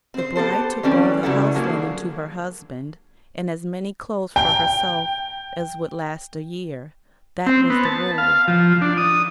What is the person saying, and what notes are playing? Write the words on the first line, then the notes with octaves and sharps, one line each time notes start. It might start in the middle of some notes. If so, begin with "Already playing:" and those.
The bride took all the house-linen to her husband, and as many clothes for herself as would last a year; that was the rule.
C4 C5
B3 G4 A4 C5
E3 G3 C4 C#4 B4 D5
C#3 F#3 G3 E4 A4 F#5
D3 F3 F#3 G#3 A#3
G5
C4
B3
A5
F5
F3
D4
D#6